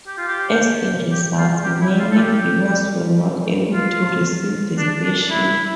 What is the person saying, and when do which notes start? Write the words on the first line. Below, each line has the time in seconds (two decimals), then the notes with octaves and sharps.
As a result, many viewers were not able to receive the station.
0.07 G4
0.18 F4
0.27 G4
1.12 G4
1.38 F4
1.64 G4
1.81 E4
1.99 F4
2.11 A4
2.17 G4
3.73 F4
4.78 D4
5.04 D4
5.30 E4